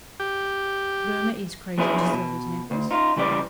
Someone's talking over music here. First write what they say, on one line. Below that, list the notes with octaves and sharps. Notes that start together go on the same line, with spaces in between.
Boehmer is crazy to sell his necklace.
G4
F3 F#3 B3 D4 E4 G#4
B2
D2
D#4 F4
C#2 E3 G3 B4 D5